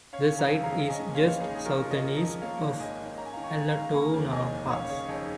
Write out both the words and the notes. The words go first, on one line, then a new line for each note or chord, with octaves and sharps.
The site is just south and east of Allatoona Pass.
C#4 C#5 F5
C#3
F5 A#5
F2
F5 A#5
G#3
C#4 D#5 G#5
A#2
C#5 F5
A#1
D#4 G#4
G#3
G#4
C#4 F4 A#4
F3
A#4 D#5
F2
A#4 D#5
G#3
A#3 C#5 F5
G#2
G#1 D#5 G#5
D#3
C#4 A#5
G#5
F5 A#5
D#3
G#5 C#6
G#2
F5 A#5
G#3
A#3 G#5 C#6
D#2
F1 D#5 G#5
D#3
C#4 C#5 F5
C#3 G#4 C#5
F2 D#4 G#4